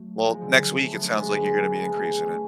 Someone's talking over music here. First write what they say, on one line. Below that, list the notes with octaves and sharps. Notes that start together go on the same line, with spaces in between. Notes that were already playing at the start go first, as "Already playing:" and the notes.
Well, next week it sounds like you're gonna be increasing it.
Already playing: F#3 A3
F3 G#3
D3 F#3
F#3 A3
B3
C#4
G#3 B3
B3
A3
G#3 B3
A3 C#4